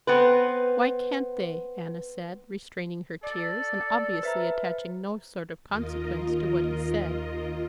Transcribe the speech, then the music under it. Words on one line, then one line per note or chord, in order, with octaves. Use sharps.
"Why can't they?" Anna said, restraining her tears, and obviously attaching no sort of consequence to what he said.
B3 C4 B4
A4 D5
B4 C5 E5 A#5
D#2 F4 A#4 D#5